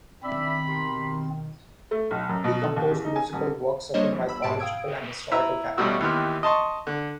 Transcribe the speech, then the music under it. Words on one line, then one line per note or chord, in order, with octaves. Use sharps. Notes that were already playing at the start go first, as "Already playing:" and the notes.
He composed musical works of a mythological and historical character.
B2 D#3 C4 D4 D5 E5 B5
G4 A#4 C6
A3
B1
F#2
B2
A4
D#2
E2
D#4
G#5
D#1
G3 A#3 D4 C5 C#5 D#5
E3 F3
G1 B5 E6
A#1 G#2 B2 A5 B5 D7
F5 G5 D#6 E6 G#6 D7
E4 B4 E5 A#5
A1 B2 G3 A3 F#4 E6
D#2 E3 B3 G4 C6 F6
D#5 A5 C6 C#6
D3